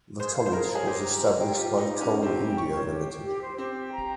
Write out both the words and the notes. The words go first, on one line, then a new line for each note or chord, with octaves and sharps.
The college was established by Coal India limited.
G#4 C5
F5
C5
G#4 A#4
C#5
G#4
G4 C5
A#5
C5
G5
F4 G4
D#5
D#4
G4
C#4
A#4
C4 G4
G5
C#6
C#5
G4
G5
G4
C5
C4 G4
G5
A#5